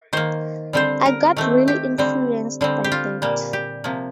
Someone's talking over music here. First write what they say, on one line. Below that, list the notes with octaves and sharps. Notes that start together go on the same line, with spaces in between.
I got really influenced by that.
D#3 A#3 C5
D3 G3 C4 C5
A#4
D#3 A3 C4
G4
D3 G3 C4
D3 G3 C4
G4
F4
A#2 G3 A#3
G4
C3 F3 A#3